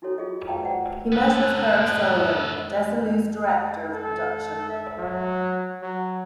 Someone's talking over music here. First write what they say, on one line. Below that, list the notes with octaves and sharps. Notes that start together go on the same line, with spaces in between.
He met with Herb Solow, Desilu's Director of Production.
D#4 E4 F#4 A4 C#5
E4 F4 G#4 A4 D#5
G#4 B4 F5 G5 A5 A#5
C5 D5 D#5 F#5 G5
B3 A4 F#6
A4
E5
F#3
F#3